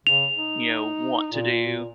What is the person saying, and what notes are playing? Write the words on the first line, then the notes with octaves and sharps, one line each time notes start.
you know, want to do.
C#3 F7
D#4
A#2